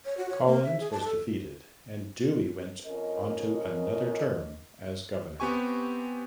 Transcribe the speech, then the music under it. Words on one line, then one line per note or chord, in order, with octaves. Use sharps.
Collins was defeated and Dewey went onto another term as Governor.
C#5
F#4
C#5
A#3
E5
G#4
A5
A4
F2 C#4 A#4 D#5
B3 C4 G4 G#5 C#6